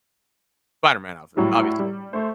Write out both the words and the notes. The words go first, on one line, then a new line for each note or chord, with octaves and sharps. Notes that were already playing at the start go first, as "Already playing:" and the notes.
Spider-Man outfit, obviously.
A2 F#3 G3 E4
G3
A3 C5 C#6